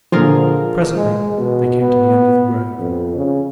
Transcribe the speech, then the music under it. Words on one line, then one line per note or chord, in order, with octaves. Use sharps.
Presently they came to the end of the grove.
A#2 D3 F3 F4 G#4 A#4
G#3
B2
B3
F2
C#3